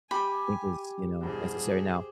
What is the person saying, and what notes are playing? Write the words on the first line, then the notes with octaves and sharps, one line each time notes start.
think is, you know, necessary. Now,
G4 G#5 B5
E2 G2 B2 G#4 C5